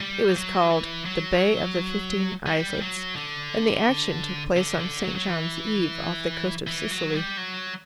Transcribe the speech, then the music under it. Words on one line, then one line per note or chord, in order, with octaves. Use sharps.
It was called "The Bay of the Fifteen Islets," and the action took place on St. John's Eve off the coast of Sicily.
G3
F#3
E3
F#3
G3
F#3
D3
D3
D3
F#3
F#3
E3
E3
F#3
G3
F#3